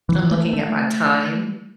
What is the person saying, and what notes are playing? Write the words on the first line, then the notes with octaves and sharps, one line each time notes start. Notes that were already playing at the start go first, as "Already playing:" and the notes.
I'm looking at my time.
E3
A3
A3